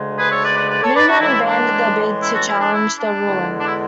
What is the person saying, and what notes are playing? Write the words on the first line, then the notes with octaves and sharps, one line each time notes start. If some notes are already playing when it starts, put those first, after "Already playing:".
Newman abandoned a bid to challenge the ruling.
Already playing: D2 C#3 G#3
G#4 B4
A4 C#5
B4 D5
B4 D5
B4 D5
A4 C#5
B4 D5
D4 F#4
A2 E3 G#3 E4
D4
E4
F#4 A4
E4
D4
E4
D4
E2 D3 G#3
D4
E4